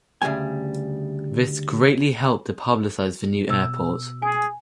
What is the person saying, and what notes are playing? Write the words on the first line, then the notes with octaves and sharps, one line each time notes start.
This greatly helped to publicize the new airport.
D2 C#3 G3 A3 G#5
B2 E6
G#4 G#5